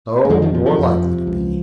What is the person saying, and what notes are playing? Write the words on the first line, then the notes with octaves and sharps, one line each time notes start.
No; nor likely to be.
A#3
F2 F3 G#3
D#3 F#3
C3 F3
F3
F2 F3
C3
C#2